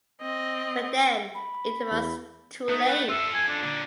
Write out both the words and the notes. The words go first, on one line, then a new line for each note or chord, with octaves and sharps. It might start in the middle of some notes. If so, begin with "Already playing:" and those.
But then it was too late.
C4 D#5
B5
E2
A3 D#4
B4
F4 A4 E5
G#5
D4
A#2 D3